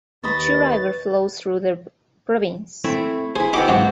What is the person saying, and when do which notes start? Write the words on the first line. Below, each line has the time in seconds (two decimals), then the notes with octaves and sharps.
The Chi River flows through the province.
0.24 D#2 B4 C#5 D#5 B5 A6
2.84 A3 C4 E4
3.36 E4 G#4 C5
3.53 B3 C4 D#4 F#4 B5 D6
3.68 G#2 C#3 F#3